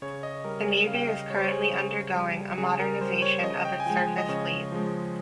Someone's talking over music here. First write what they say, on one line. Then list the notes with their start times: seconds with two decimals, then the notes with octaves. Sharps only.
The navy is currently undergoing a modernization of its surface fleet.
0.02 C#3 C#5
0.23 D#5
0.44 G3 A#4
0.66 C#5
0.87 C#3 F5
0.95 G5
1.02 F5
1.08 D#5
1.30 G3 C#5
1.37 C5
1.44 C#5
1.51 G#4
1.72 C#3
2.16 G3
2.58 C#3 G#4
2.79 A#4
3.01 G3 C5
3.22 C#5
3.43 C#3 D#5
3.65 G5
3.80 G#5
3.86 F3 G#3 G5
4.18 D#5
4.29 C#3 C#5
4.72 F3 G#3